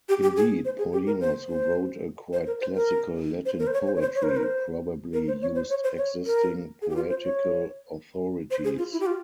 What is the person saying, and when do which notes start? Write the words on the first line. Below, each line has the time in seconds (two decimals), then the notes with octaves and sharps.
Indeed, Paulinus, who wrote a quite classical Latin poetry, probably used existing poetical authorities.
0.09 G4
0.23 G4
0.36 G#4
0.65 C5
0.78 G#4
0.93 G4
1.07 A#4
1.21 C5
1.48 C5
2.33 C5
2.46 A#4
2.61 C5
2.75 A#4
3.45 C5
3.59 A#4
3.67 C5
3.73 C#5
3.87 C5
3.96 C#5
4.01 C5
4.15 C#5
4.23 A#4
4.29 C5
4.37 A#4
4.43 C5
5.13 A#4
5.28 C5
5.42 C#5
5.55 C5
5.70 C#5
5.84 C5
5.98 C#5
6.26 A#4
6.82 G#4
6.90 G4
6.96 F4
7.10 C5
7.24 C#5
8.51 C5
8.64 G#4
8.78 F4
8.92 E4
9.00 G4
9.06 F4